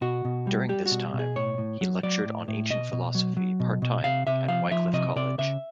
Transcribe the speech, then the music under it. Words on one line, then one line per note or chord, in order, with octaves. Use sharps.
During this time he lectured on ancient philosophy part-time at Wycliffe College.
B2 F#4
B2
G3
G3 G4
F#4
B2
B2
G#4
A2 C#5
A2
F#3
F#3 D5
A2
A2
B2 D#5
B2
F#3
F#3
B2
B2
C3 F5
C3 E5
F3 F5
F3 E5
C3 D#5
C3 D5
C#3 E5